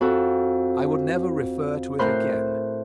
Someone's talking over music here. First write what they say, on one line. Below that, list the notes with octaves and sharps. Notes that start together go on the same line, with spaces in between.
I will never refer to it again.
F2 F#4 A4
A2 A#4 C5 B5 C6 F#6